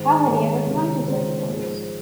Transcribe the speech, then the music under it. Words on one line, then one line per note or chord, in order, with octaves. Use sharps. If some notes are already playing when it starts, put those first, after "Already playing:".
How had he ever come to such a place?
Already playing: G#2 D#3 G#3 C5
G#2 D#3 G#3 C#5
C#2 C3 D#3
C#2 C3 D#3 C5
G#2 F3 G#3